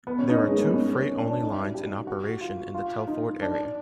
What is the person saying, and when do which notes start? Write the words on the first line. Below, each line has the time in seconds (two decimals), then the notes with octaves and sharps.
There are two freight only lines in operation in the Telford area.
0.07 B3
0.19 C#4
0.29 D#4
0.40 C#4
0.48 G#3
0.57 A#3
0.65 B3
0.74 C#4
1.07 C#4
1.18 D4
1.30 D4
1.41 D#4
1.51 E4
1.63 F#4
1.74 G4
2.07 F#4
2.41 F4
2.74 F4
3.08 D#4
3.41 D4